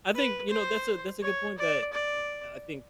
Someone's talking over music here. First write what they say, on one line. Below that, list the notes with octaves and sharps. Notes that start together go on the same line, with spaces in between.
I think, you know, that's a that's a good point that m I think
B4
C5
C#5
D5
D5